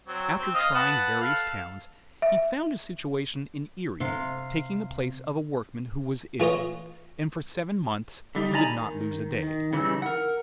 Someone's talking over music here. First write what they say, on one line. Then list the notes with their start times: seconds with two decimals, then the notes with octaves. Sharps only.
After trying various towns, he found a situation in Erie, taking the place of a workman who was ill, and for seven months he did not lose a day.
0.07 F#3 C4
0.38 C4
0.54 D#5 F5 D#6
0.75 B4 F#5 A5
1.21 A4 F5
2.22 E5
4.00 C3 F5
6.40 E3 F4 B4 C#5 D#5
8.35 D3 G3 D#4
8.54 D5 D#5 G#5 A#5 B5
8.67 D#3
9.43 D#3
9.73 C#3 E3 G3 D#4 E6
10.02 A#4 F#5